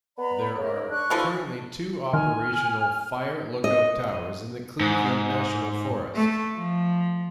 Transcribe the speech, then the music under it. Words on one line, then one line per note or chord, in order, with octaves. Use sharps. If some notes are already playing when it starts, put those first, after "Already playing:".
There are currently two operational fire lookout towers in the Cleveland National Forest.
B3 D5 A#5 B5
C#3 A#4
D4 C#6 F#6
D2 E3 F3 A3
D#3 G#5 F6
D#5
G#2
A3
F3